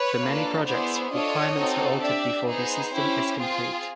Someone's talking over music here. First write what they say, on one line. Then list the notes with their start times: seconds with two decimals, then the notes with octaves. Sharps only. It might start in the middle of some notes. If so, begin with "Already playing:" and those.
For many projects, requirements are altered before the system is complete.
Already playing: B4 C#5
0.21 A#3 D4 F4 A4
0.66 B3 E4 G#4 C5 D5
1.12 D4 F4 A4 C#5 D#5
1.57 C4 D#4 F#4 A4
2.03 D4 G4 D5 E5
2.48 B3 D#4 G#4 C5
2.94 C#4 E4 G4
3.39 C4 F4 G#4